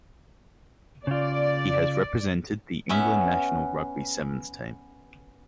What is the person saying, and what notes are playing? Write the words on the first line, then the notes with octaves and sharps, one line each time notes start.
He has represented the England national rugby sevens team.
C#3 F4 D5
B3 C#4 E5